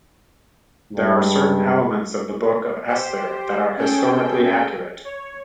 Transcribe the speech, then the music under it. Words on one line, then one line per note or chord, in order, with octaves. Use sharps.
There are certain elements of the book of Esther that are historically accurate.
G2 G#3
G4 C5
C#4 G#4 A4 G5
C#5